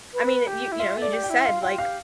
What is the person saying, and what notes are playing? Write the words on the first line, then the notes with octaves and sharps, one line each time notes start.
I mean, uh, you you know, you just said like, f
B4
G4
E4
F4 E5
A4
D5
G4
G5
E4
F4 F5
F4 G5
G4 F5